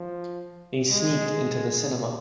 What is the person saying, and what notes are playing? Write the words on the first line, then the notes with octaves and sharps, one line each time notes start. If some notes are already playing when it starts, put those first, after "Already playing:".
They sneaked into the cinema.
Already playing: F3
G#3